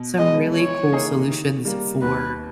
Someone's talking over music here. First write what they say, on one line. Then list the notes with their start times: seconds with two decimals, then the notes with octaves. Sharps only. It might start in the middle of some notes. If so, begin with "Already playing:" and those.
some really cool solutions for
Already playing: B2
0.18 G#3 B3 D#5
0.55 E3 C#5
0.92 A#3 D#4 G#4
1.29 D#3
1.65 G3 A#3
2.02 D#2 B4